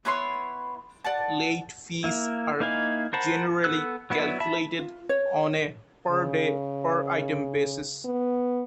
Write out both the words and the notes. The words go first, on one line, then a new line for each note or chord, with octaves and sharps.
Late fees are generally calculated on a per day, per item basis.
B3 E4 C#5 C6
D5 F#5 A5
A#3 E4
A#3 D#4 E4 F5 G#5
A#4 C5 F#5 A5 B5
B3 A4 E6 F#6
F#3 B3 E4 B4 D5
E5 A5 B5
F4
C#5
C#3
B3